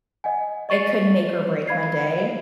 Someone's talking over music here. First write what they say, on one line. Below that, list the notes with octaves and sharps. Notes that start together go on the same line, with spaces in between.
it could make or break my day.
D#5 F#5 G#5
D#5 C#6 A6 C7 C#7
F5 B5 G#6 C7